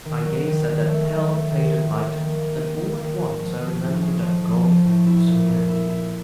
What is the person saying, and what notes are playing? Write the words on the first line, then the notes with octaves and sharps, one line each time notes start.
I gazed at that pale faded light, and all at once I remembered that God was near me.
D#3
F#3
D#3
D#3
A3
F#3
A3
D#3
D#3
A#3
D#3
A#3
D#4
D#3
D#3
F#3
F3
F3
A2
G#3
F3
F3
F3
A2
E4
A#2
A#2
E4
E4